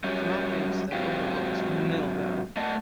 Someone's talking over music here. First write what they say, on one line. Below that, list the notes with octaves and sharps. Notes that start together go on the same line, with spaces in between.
Tamalpais that overlooks Mill Valley.
F#3 G3 C#4
G#2 F#3 C4 F4 G4
A3 D5 D#5 F#5 A5